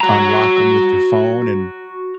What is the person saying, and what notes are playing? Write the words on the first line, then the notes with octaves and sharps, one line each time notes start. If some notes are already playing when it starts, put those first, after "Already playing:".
unlock 'em with your phone, and
F#4 A#5